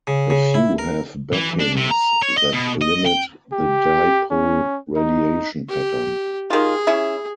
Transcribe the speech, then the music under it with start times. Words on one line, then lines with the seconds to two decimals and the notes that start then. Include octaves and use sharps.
A few have backings that limit the dipole radiation pattern.
0.07 C#3
0.30 C#3
0.54 E4
0.78 A#4
1.33 E3
1.60 D4
1.76 C3
1.91 A#5
2.22 C#5
2.38 D#5
2.53 B2
2.82 D#5
3.06 G5
3.52 G4
4.31 C#4
4.96 D#4
5.69 G4
6.50 D#3 F4 G#4
6.87 C#4 E4 E5